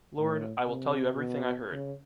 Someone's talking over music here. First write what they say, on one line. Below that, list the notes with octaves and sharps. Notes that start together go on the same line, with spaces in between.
Lord, I will tell you everything I heard.
A2
C3
B2
C#3